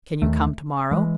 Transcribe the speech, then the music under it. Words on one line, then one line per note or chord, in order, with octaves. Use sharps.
"Can you come to-morrow?"
D#2 D#3 A3
E3 G#3